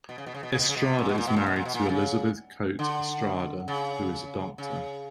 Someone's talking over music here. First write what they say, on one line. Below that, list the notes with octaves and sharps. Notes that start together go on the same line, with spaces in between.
Estrada is married to Elizabeth Cote Estrada, who is a doctor.
B2
C#3
B2
C#3
B2
C#3
B2
C#3
B2
A#2
B2
A#2
B2
A#2
B2
A#2
B2
A#2
C#3
D3
C#3
C#3